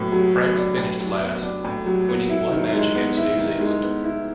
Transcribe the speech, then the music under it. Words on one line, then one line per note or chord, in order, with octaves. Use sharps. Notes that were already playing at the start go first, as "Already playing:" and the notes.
France finished last, winning one match against New Zealand.
Already playing: A2 F#3 B3
F#3
B3
D4
A2
F#3
B3
D4
A2
F#3
B3
E4
D#3
G#3
B3
E4
D#3
G#3
B3
E4